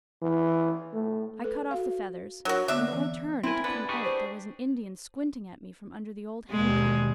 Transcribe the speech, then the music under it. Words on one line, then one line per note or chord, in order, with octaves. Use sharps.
I cut off the feathers, and when I turned to come out there was an Indian squinting at me from under the old hen-coop.
E3
A3
A4 B4
F#4 F5
F#3 D4 F#4 A#4 C#5
D3 B3 D4 D5 E5
E3 C4
C4 E4 A#4 G#5
B3 D4 B4
D4 G4 G#4 C#6 D6
C5
D#2 B2 G3 G#3